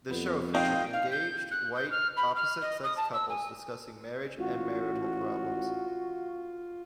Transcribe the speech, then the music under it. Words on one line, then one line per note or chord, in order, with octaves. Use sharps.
The show featured engaged white, opposite-sex couples discussing marriage and marital problems.
F2 B3
C4 D#4 F4 D#5 F5 G5
F5
G6
F#6
G6
F6
B5
F6
D#5
D#6
A5
E6
G#5
A1 F4 F#4